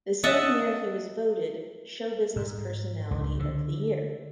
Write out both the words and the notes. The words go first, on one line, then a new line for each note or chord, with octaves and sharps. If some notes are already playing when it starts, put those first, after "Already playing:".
The same year he was voted 'Showbusiness Personality of the Year'.
D#5 E5 F#5 A5
G#2
C#2
D3